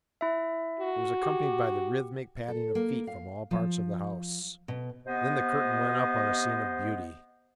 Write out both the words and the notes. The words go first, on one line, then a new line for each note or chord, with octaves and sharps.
It was accompanied by the rhythmic patting of feet from all parts of the house. Then the curtain went up on a scene of beauty.
E4 E5
F#4
G4
A4
A#3
F5
F3
B2
C3 B3 C5 D#5